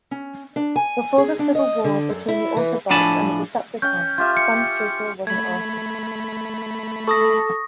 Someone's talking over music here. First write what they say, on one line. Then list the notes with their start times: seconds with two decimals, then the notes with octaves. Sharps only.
Before the civil war between the Autobots and the Decepticons, Sunstreaker was an artist.
0.11 C#4
0.56 D4
0.76 G#5
1.18 G#4
1.39 D4
1.55 D#5
1.84 D3
2.09 F#2
2.28 E4
2.56 E3
2.90 A2 F3 D4 G#5 A5 B5
3.82 C#4 G5 G6
4.18 F4 G4 E5 G6
4.37 C#7
5.27 A3 B5 G#6
7.07 A4 C#6 D#6 A#6